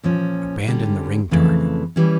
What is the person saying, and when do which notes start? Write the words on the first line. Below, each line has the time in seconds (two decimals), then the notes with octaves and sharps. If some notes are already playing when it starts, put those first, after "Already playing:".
Abandon the ring target.
0.04 A#2 F3 C#4
0.67 D3 G3 C#4 G4
1.31 F2 C#3 E3 A3
1.96 E3 G3 C#4